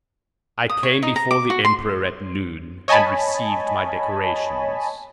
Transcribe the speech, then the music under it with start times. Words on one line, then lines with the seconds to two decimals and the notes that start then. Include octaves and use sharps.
I came before the emperor at noon and received my decorations.
0.69 D#6
0.83 C#5
1.02 D#4
1.16 A#5
1.31 D6
1.50 F#4
1.65 C6
2.88 C#5 D#5 G#5 A5 B5